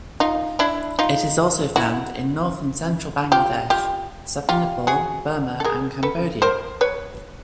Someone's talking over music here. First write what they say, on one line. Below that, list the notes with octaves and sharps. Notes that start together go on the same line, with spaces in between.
It is also found in north and central Bangladesh, southern Nepal, Burma and Cambodia.
D#4 F4
D4 E4
D#4 F4
E4 F#4
F4 G4
F4 G4
F4 G4
F#4 G#4
A4
G#4 A#4
A4 B4
A#4 C5
B4 C#5